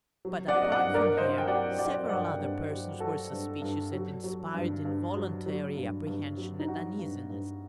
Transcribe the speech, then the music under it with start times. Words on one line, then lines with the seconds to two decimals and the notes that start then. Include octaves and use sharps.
But apart from her, several other persons were suspicious and inspired involuntary apprehension and uneasiness.
0.25 F#3
0.48 D5 F#5
0.56 F#3
0.62 D#5
0.72 D5 F#5
0.86 G2
0.94 A#4 D5
1.08 D5
1.17 G2 C5 D#5
1.38 G5
1.48 F#3 D5 F#5
1.78 F#3 D5 F#5
2.04 D#5
2.09 G2 D5 F#5
2.39 G2
2.70 F#3
3.00 F#3 F#4 A4
3.31 G2
3.62 G2
3.93 F#3
4.24 F#3
4.54 G2
4.85 G2
5.16 F#3
5.46 F#3
5.77 G2
6.07 G2
6.37 F#3
6.59 D#4
6.68 F#3 F#4
6.99 G2
7.30 G2